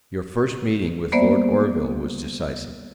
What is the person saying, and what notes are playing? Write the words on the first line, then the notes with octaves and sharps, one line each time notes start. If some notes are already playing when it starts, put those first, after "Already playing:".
Your first meeting with Lord Orville was decisive.
G3 A#3 B3 C5 D5 E5